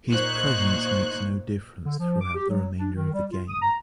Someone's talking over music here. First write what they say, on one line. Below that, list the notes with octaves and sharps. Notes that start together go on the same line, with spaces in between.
His presence makes no difference throughout the remainder of the game.
A#2 D#4 C5 C#6 F#6 G#6
D3
F3
D6
G4
F#3
D4
D#3
G3
F4
D#6
A#5